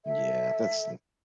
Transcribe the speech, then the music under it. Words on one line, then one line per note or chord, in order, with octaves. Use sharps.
Yeah, that's n
A4 E5